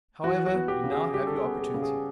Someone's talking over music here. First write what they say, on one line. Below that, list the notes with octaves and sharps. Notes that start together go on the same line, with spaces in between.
However, you now have your opportunity.'
E3 F#4
F#4
B3
G4
C#3
G#4
G3 G4
A4
G#4
B3
G#4
C#3
G#4